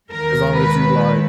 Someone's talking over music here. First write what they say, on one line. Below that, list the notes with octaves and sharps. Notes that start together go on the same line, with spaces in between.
as long as you like
D#2 D#3 G#3 A#4
B4